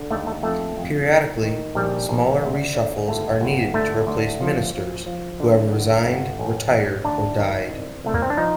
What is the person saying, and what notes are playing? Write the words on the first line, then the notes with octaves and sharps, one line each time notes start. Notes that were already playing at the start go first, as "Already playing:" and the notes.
Periodically, smaller reshuffles are needed to replace ministers who have resigned, retired or died.
Already playing: D3
D#2 A3
A3
F2 A3
F2
D#3
D#3
A#1 G3
A#1
D2
D3
G1 A3
G1
D2 A3
D2
F3
F3
F3
D3
G1
G1
A1
A1
D2 D4
D#3
C2
C2 A3
A#3
C4
D4
F3 D#4